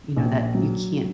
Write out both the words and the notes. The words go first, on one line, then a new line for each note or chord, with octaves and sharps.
you know, that you can't
A#1
F#3